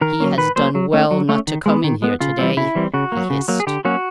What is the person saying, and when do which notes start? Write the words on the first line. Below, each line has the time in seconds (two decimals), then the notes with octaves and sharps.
"He has done well not to come in here to-day!" he hissed.
0.01 D#3 A#4
0.20 F#3 A#3 C#4
0.38 D#3 B4
0.56 F#3 A#3 C#4 C5
0.75 F#3
0.93 A3 C#4
1.11 F#3
1.29 A3 C#4
1.47 D#3
1.66 G#3 B3
1.84 D#3
2.02 G#3 B3
2.21 C#3 F4
2.39 E3 G3 C4
2.57 C#3 E4
2.75 E3 G3 C4
2.94 C#3 F#4
3.12 F#3 A#3
3.30 C#3
3.48 F#3 A#3
3.60 G#4
3.67 D3 G4
3.85 F#3 A#3 C#4 F#4